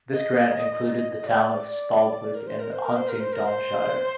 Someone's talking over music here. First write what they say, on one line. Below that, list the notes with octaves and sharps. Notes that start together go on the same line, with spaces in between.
This grant included the town of Spaldwick in Huntingdonshire.
D#5
D5
A#4
C5
A#4
C5
A#4
C5
A#4
C5
A#4
C5